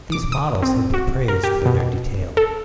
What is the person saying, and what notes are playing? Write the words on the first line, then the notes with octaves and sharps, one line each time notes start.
These models have been praised for their detail.
D6
D#6
C4
F#4
A#4
G4
B2
A4